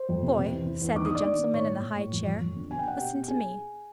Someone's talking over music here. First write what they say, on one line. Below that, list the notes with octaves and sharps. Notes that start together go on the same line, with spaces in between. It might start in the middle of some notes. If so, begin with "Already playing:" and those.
'Boy,' said the gentleman in the high chair, 'listen to me.
Already playing: C5
F2
C3
C3
E2
E3
E2
D#3 D6
D#6
D#3 D5 D6
D#3
D#3
A2 C#5 C#6
A2
A2
A2
F2
F2
F2
D3
B2 G#5
G5
B2 F#5
B2 G4 G5
B2
G#4 G#5